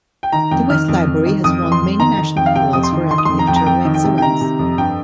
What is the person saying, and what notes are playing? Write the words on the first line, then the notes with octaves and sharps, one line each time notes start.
The West Library has won many national awards for architectural excellence.
G5
D#3 A#5
F2 G5
D#3 F6
F2
F2
D#3
F2 D#6
F2
C6
F2
D#3 A#5
D#3
F2 G5
F5
C3 G5
F2 D#6
C6
D#3
D#3 C6
D#6
F2 C6
A#5
F2 G5
A#5
F2 G5
D#3
G5
C3
G5
D#3 A#5
C3
F2
G2 G5